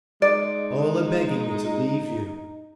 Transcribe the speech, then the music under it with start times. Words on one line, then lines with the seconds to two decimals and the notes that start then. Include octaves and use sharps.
All a-begging me to leave you.
0.22 G#3 D#4 D5